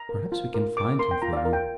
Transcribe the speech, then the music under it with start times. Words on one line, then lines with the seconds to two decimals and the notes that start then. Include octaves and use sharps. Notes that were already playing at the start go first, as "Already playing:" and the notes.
Perhaps we can find him for you.
Already playing: A#5
0.09 A#4
0.32 F4
0.54 A#4
0.77 A#4 D6
0.99 A#4 C6
1.11 G5
1.22 F4 A#5
1.33 D5
1.37 F5
1.45 A#4
1.53 G5